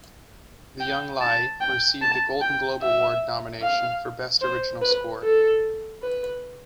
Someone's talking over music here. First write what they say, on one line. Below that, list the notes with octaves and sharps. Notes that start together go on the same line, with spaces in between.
The young Lai received a Golden Globe Award nomination for "Best Original Score".
G5
A5
G5
A5
G5
E5
F5
C5
B4
A4
B4